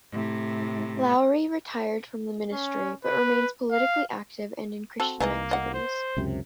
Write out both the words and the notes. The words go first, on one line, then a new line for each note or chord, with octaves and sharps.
Lowery retired from the ministry, but remains politically active and in Christian activities.
A2 C3
C#4
B4
F5
C4 F#4 A4
C2 E3 A#3 D#4 D#5
D#5 F#5
C5
C#2 F#2 C3